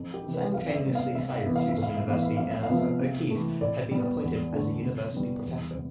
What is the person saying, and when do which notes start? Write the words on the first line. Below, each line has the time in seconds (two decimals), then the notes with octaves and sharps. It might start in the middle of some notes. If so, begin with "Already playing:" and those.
Simultaneously Syracuse University announced that O'Keefe had been appointed as a University Professor.
Already playing: F2
0.14 G4
0.24 C3 E3
0.34 B4
0.54 F2 F5
0.67 D5
0.74 E5
0.85 C3 G3 B3
0.95 F5
1.15 C3 E5
1.29 F5
1.43 E3 B3 E5
1.56 F5
1.69 E5
1.78 A2
1.83 F5
1.97 E5
2.07 E3 B3 F5
2.23 E5
2.37 F2 F5
2.50 E5
2.63 F5
2.69 C3 F3 B3
2.77 E5
3.00 C3
3.30 E3 A3
3.61 A2 D5
3.91 G3 B3
4.22 E2
4.53 D3 A3
4.83 C3
5.14 G3 B3
5.45 E2
5.75 C3